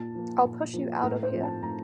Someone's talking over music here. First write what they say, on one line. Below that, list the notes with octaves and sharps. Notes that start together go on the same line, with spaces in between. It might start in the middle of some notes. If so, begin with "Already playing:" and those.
I'll push you out of here.
Already playing: A#2 A5
F3 A#3
A#2
F3 A#3
A2 A#4
C5
F3 A3 C4
A5
A2 A#5